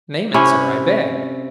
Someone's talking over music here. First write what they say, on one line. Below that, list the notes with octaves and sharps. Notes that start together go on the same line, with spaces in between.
"Name it, sir, I beg."
C3 C#4 E4